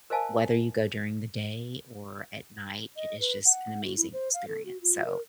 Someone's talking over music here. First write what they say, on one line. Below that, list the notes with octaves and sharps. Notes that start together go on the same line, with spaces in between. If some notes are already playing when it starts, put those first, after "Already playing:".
whether you go during the day or at night, it is just an amazing experience, so
A#4 C5 D#5 F5 G#5 A5
D#5
B4
F#5
F#4
E4
C5
F5
A4
F#4
F4
A#4